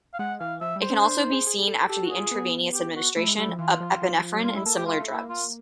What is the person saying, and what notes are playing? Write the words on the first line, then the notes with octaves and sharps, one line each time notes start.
It can also be seen after the intravenous administration of epinephrine and similar drugs.
F5
G#3 F#5
E3 F5
F3 E5
G3
C5
C#4
D4
D#4
G#4
G#4
A4
G4 A4
F#4
G#4
F4
B3
G4
F#4
A3 E4
G#3
G3 E4
F3
E3 F4
F3
F3
E3
F3
F#3
G3 F4
G#3 E4
A#3 A4
A3 G4
G#3 F4
A3
E4
A#3
F4